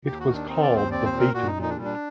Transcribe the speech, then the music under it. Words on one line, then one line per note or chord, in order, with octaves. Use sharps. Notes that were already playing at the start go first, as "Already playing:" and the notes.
It was called the Beta node.
D#2 G4
F#4
D#3
D4
C4 D#4
D5
D#2
C5
C4 D5
C5
A#2
A#4
A#2 F#4
D#4
A#2
D#4
D4
G3
D4